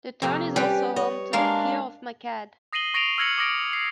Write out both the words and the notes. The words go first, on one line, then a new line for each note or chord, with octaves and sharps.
The town is also home to the Pir of Makhad.
F2 C3 A#3
G3 C#4 G4 B4 G5
C#5 D#5
G#3 A#3 D4 A#4 F5
D#6 A#6 C7 D#7 F#7 G7
C#6 A#6 C7 D7 D#7 F7
E6 F6 G#6 A#6 C#7 F#7
D6 D#6 A#6 D7
C7